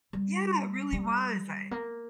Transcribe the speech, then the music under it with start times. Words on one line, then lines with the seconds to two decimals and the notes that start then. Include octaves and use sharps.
Yeah, it really was. I
0.13 G3
0.93 G3
1.71 A#3